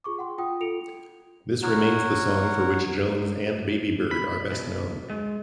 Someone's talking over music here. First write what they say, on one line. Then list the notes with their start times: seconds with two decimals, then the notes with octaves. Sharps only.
This remains the song for which Jones, and Babybird, are best known.
0.04 F4 G#4 C#6 D6
0.19 F#5 G5 C6
0.38 F4 G5 D#6
0.61 F4 A4 C#7 D7 F7
1.63 A#4 C#5 F#5
4.11 B5
4.51 B1
5.10 G#3